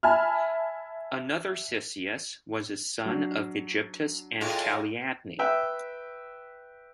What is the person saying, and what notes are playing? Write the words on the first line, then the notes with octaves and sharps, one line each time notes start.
Another Cisseus was a son of Aegyptus and Caliadne.
E5 G#5 A5 B5 F6
F#3 D4
A2 G#3 F4
B4 E5 G5